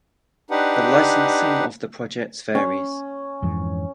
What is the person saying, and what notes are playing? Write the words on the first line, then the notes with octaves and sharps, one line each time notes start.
The licensing of the projects varies.
D4 D#4 G4 B4 F#5
C#4
F2 G#2 E3